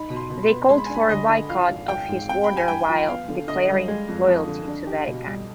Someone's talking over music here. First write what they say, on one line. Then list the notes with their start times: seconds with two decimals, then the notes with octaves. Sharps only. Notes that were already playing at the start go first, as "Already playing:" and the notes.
They called for a boycott of his order while declaring loyalty to Vatican.
Already playing: D#4 B5
0.10 B2
0.16 C6
0.30 B2
0.43 C6
0.50 B3
0.69 G#3 C6
0.78 B5
0.86 D4 G#5
0.95 B5
1.09 D2 D#5
1.29 D3
1.49 F3 F5
1.69 G#1
1.89 G#1 G5
2.09 G#2
2.28 C4 G5
2.44 G4 B5
2.57 G#5
2.68 G2 G5
2.89 F3
3.08 B3 F5
3.29 D3
3.48 D3 D#5
3.68 G3
3.88 G#3
4.08 F2
4.28 F2
4.47 D3
4.68 D4
4.87 G4
5.07 B2
5.27 G3